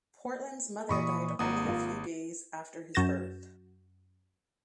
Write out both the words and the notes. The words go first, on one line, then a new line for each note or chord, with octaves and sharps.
Portland's mother died only a few days after his birth.
A#2 E3 D#5 B5 C#6 D#6
G#1 A#3 D#5 F#5 A#5 D#6
F4 A#4
F#2 F#4 G6 A6 A#6 E7